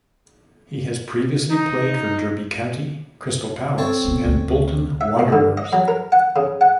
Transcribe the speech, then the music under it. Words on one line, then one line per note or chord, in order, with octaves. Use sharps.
He has previously played for Derby County, Crystal Palace and Bolton Wanderers.
D#4
C4 A4 C#5
A#2 B3
D2 A2
E5
A#2
D3
D#5
F#3
A#4
F#5
C#3
F#5